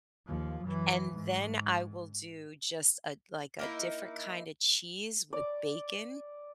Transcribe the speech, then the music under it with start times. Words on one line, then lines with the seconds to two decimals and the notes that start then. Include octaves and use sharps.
And then I will do just a, like, a different kinda cheese with bacon.
0.26 D#2 F3
0.63 F#2 E3
1.12 G#2
3.59 A#3 D#4 E4
5.33 D5